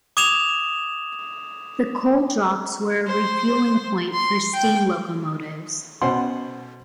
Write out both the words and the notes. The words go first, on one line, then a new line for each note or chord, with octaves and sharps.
The coal drops were a refuelling point for steam locomotives.
D6 D#6 G#6 E7 F7
C5
C6
G5
B2 C#4 C5 F#5 C6